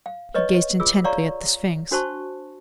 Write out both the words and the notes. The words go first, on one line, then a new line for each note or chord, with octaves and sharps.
He gazed intently at the sphinx.
F5
B4 C#5 D#5 C#6
F4 G#4 E6
C#5 D5 F5 A#5 C#6
D4 F#4 C5 A5 C#6